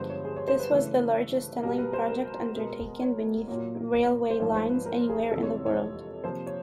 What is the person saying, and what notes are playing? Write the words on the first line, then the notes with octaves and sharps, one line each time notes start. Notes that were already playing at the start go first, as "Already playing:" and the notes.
This was the largest tunneling project undertaken beneath railway lines anywhere in the world.
Already playing: G2 D3 F3 G#3 B3 B4 C5
C#5
G#4
C#5
C5
B4
C#3 E3 A3
B2 G3 A#3 A#4
B4
C5
A#4
B2 G#3 B3
C#5
A#2 F#3 A#3
C5
G#2 F3 A#3 C#5
C5
B4
A#4
G#4
F2 C3 E3 G#3 A4
C#5
C#5
C#5
C3 F3 A#3 C5
C#5